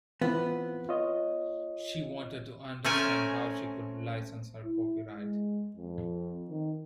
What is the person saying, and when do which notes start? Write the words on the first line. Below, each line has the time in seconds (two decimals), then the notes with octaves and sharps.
She wanted to understand how she could license her copyright.
0.22 E3 B3 C4 F4
0.89 F4 C#5 D#5
2.84 A3 C4 C#4 A#4 G#5
4.64 E4
5.14 G#3
5.76 F2
6.50 D#3